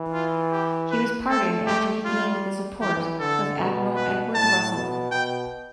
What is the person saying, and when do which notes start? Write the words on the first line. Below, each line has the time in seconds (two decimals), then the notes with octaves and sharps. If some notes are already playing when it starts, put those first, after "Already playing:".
He was pardoned after he gained the support of Admiral Edward Russell.
Already playing: E3
0.13 F4
0.52 G4
0.91 B4
1.29 A3 A4
1.67 G4
2.05 G3 F4
2.81 E3 G4
3.20 D3 A4
3.59 B2
3.96 B4
4.35 A2 A5
4.74 B2
5.12 B2 G5